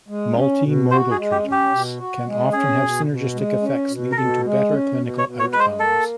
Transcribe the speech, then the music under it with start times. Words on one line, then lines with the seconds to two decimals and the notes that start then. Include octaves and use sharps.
Multimodal treatments can often have synergistic effects leading to better clinical outcomes.
0.09 G#3
0.36 C#4
0.63 B2
0.91 F#4 C5
1.11 G#4
1.18 G#3
1.31 G4
1.45 C#4
1.52 G4
1.72 B2
1.99 F#4
2.26 G#3
2.53 C#4 G#4
2.81 B2
3.08 B2
3.35 G#3
3.62 C#4
3.90 B2
4.12 A#4
4.16 B2 A4
4.44 G#3
4.71 C#4
4.98 B2
5.18 C#5
5.25 B2
5.39 C#5
5.52 G#3 B4
5.60 C5
5.80 A#3 A4